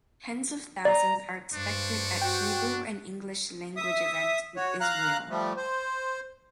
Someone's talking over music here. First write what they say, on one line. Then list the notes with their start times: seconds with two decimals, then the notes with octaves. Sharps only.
Tens of thousands are expected at Hebrew- and English-language events in Israel.
0.85 D5 A#5
1.54 G2 D4 C5 C#6
2.22 F#4 G5
3.77 E5 D#6
4.56 F#4 C#5
4.81 F5 A#5 F#6
5.29 F3 G3 A3
5.57 C5